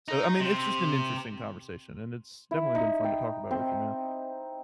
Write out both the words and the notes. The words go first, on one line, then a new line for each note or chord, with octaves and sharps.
So, I mean, it's just an interesting conversation, and it's definitely been fun to talk about with you, man.
D#4
C3
E4
D#4
G5
C4